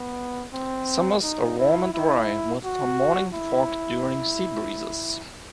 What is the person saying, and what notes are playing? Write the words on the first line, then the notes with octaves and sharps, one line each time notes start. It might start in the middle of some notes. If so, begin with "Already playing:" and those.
Summers are warm and dry, with some morning fog during sea breezes.
Already playing: B3
C4
D#4
E4
E4
F#4
E4